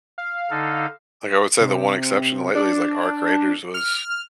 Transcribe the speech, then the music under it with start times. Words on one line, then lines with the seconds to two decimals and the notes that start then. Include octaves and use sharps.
Like, I would say the one exception lately is, like, ARC Raiders was
0.18 F5
0.50 D3 D#4 A4
1.61 C3
2.55 D4
3.74 F6